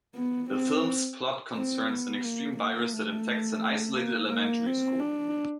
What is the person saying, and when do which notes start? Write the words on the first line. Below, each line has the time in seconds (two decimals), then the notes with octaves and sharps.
The film's plot concerns an extreme virus that infects an isolated elementary school.
0.15 B3
0.50 C4
1.54 C4
1.89 B3
2.24 A#3
2.57 A#3
2.93 A3
3.97 A#3
4.31 A#3
4.66 C4
5.00 D4